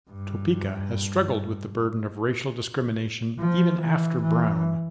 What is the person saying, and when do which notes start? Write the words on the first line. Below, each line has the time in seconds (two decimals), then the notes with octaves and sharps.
Topeka has struggled with the burden of racial discrimination even after Brown.
0.11 G2
3.40 F3
3.80 E3
4.22 E3